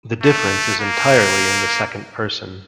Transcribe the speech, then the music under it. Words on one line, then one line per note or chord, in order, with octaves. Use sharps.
The difference is entirely in the second person.
A3
A#3